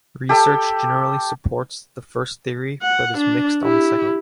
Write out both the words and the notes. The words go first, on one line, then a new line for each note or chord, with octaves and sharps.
Research generally supports the first theory but is mixed on the second.
G4 A4 G5
F#5
D4
E4 G4